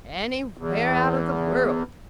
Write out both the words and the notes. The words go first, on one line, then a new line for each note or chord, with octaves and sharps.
"Anywhere out of the world."
E2